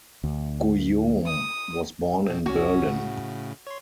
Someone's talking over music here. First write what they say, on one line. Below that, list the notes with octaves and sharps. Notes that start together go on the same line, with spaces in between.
Guillaume was born in Berlin.
D2
D#6
B2 C4
C2 C#4 F#4
A2 C#3
C#5 C6